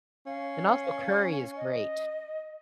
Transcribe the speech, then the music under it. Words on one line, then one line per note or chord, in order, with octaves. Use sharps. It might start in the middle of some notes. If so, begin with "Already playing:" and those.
and also, curry is great.
C#4 F5
D#5